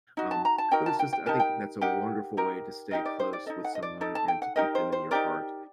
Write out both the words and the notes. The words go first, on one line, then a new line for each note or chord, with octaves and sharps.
Um, but it's just I think that's a wonderful way to stay close with someone and to keep them in your heart.
D#4 F#4
A5
A#5
A5
D#4 F#4 A#4 G5
A5
G5
G5
D#4 G4 A#4 A5
G5
D#4 G4 A#4 F#5
D#4 G4 A#4
D#4 G4 A#4 D#5
D5
C5
D5
D#4 A4 D#5
F#5
D#5
D5
D#4 A4 D5
A5
G5
F#5
D#4 G4 A#4 D#5
C5
C5
D#4 G4 A#4 D5